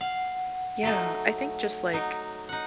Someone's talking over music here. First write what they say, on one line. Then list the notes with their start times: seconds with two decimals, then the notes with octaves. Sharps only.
Yeah, I think just like
0.01 F5 F#5
0.83 F#3 A3 D#4
1.93 F#3 D#4
2.49 D#4 F#5